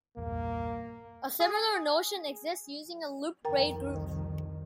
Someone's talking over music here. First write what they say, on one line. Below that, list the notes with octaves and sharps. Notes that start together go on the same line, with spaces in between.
A similar notion exists using a loop braid group.
A#1 E2 G2 A#3
G#4
C2 F2 D#3 A#4 G5 A#5